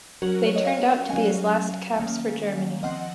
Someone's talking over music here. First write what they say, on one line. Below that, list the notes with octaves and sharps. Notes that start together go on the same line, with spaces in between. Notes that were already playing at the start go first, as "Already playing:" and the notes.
They turned out to be his last caps for Germany.
F#3 C#4 F#4 A#4
C#5
D#5
C#5 F5
F#3 C#4 F5 G#5
D#3 A#3 C#4
F3 C4 D#5 F#5